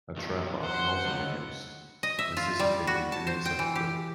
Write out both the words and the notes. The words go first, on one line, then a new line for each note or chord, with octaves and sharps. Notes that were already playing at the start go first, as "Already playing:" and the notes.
A trapbar can also be used, necessitating an inside grip.
B1 G2
C5 F#5
C#2
D#5
E5
F4
G3
F#4
A5
C5
G5
E3
G4